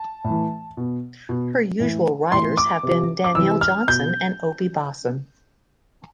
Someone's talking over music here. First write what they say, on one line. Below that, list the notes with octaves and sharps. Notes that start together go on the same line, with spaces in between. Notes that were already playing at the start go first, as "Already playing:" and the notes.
Her usual riders have been Danielle Johnson and Opie Bosson.
Already playing: A5
A2
E3
B2
B2
A2 E3
A2 E3 C6
D6
C3 F3
D6
C3 E3 E6
F6
B2 G6